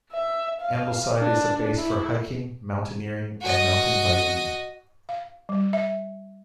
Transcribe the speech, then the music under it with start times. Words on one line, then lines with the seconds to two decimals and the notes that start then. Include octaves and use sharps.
Ambleside is a base for hiking, mountaineering and mountain biking.
0.12 E5
0.61 F5
1.21 D4
1.78 E4
3.42 F#4 D#5
5.09 F5
5.49 G3
5.73 E5